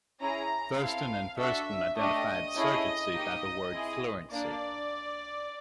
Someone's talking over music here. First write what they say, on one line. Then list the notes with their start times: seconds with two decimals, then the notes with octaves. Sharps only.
Thurstone and Thurstone identified surgency by the word "fluency".
0.20 C#4 E4 G#4 A#5
0.78 C4 E4 A4 F5
1.37 D4 F#4 A4 E5
1.96 A3 D4 G4 D#5
2.55 A3 C#4 E4 G#4
3.14 A#3 D#4 G4
3.73 C4 E4 G#4
4.31 A#3 D4 D5